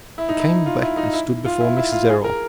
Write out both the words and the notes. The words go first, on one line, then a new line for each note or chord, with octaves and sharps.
He came back and stood before Mrs. Errol.
E4
D#4
E4
F4
E4
D#4
E4
F4
E4
E4
F4
G#4
A#4